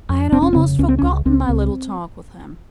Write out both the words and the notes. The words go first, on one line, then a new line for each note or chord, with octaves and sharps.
I had almost forgotten my little talk with him.
F2
F1 C4
C#4
C4
C#3
C#2 C#4
C4
C#4
C#2
C#2 C4
C#2